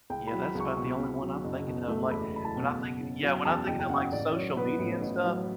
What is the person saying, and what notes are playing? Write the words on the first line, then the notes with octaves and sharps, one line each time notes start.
Yeah, that's about the only one I'm thinking of, like, when I think yeah, when I think of it like, social media and stuff,
C#2 G5
B5
F#3
B5
C#2
C#6
B2 C#6
C#2
F#3
F#1
B2
A3
E2 B5
F#1 B5
A5
B2
F#1
C#3
F#3
E2 A5
F#1 G5
G5
C#3 F#5
A1 D5
F#3 C#5
B3 B4
A2
A1
F#3